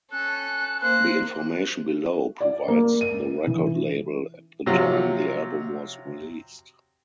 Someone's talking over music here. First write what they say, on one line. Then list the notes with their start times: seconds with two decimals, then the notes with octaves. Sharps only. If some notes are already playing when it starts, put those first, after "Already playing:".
The information below provides the record label at the time the album was released.
0.11 C#4 A4 F#6
0.81 A#3 C5 F#6
2.41 D5
2.68 A#3
3.01 D#7
3.47 E3
4.66 C3 F3 F#3